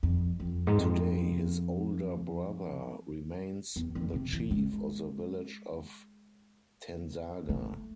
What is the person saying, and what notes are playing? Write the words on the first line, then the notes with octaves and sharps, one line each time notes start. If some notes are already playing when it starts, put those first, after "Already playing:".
Today his older brother remains the chief of the village of Tansarga.
F2
F2
G#2
F2
E2
F2
C3
E3
G#3
A3